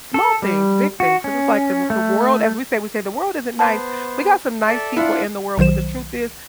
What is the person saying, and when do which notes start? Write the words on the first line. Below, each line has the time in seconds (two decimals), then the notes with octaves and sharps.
small things, big things, 'cause it's like the the world as we say, we say "The world isn't nice. We got some nice people in the world, but the truth is,
0.14 A4
0.42 G3
1.00 F#4
1.24 C#4
1.90 A3
3.59 B3 C5 A5
4.67 A4 D5 E5
4.97 D4 E4 F4 F#5
5.58 B1 D#3 F#3 C5 E7